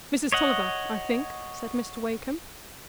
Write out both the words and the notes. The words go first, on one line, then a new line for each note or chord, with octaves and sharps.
"Mrs. Tulliver, I think?" said Mr. Wakem.
C#5 D#5 F#5